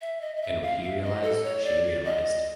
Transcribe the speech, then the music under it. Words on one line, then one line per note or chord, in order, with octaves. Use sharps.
And what he realised, she realised.
E5
D#5
D#5
E5
F5
E5
D#5
A4
C#5
D5
D#5